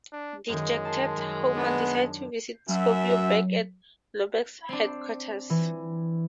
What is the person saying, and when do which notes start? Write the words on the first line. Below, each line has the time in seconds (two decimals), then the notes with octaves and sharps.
Dejected, Homer decides to visit Scorpio back at Globex Headquarters.
0.13 D4
0.49 F#2 D#3 G#3
0.85 A5 C6
1.17 F#2
1.57 B3 D4
2.69 F#2 F#3 E5
4.69 C4 D4
5.50 E3